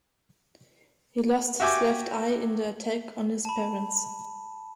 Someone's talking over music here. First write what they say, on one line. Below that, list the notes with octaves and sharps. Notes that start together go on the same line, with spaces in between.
He lost his left eye in the attack on his parents.
F#4 G4 E5 G5 G#5 D6
A5 B5